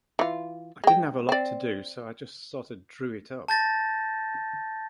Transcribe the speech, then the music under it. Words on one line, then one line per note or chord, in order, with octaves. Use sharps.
I didn't have a lot to do, so I just sorta drew it up.
E3 F4
G#3 G5
C4 D5
A5 G6 A6 A#6